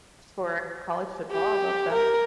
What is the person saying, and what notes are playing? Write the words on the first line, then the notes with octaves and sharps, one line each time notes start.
for college football; I love them.
G4
A#4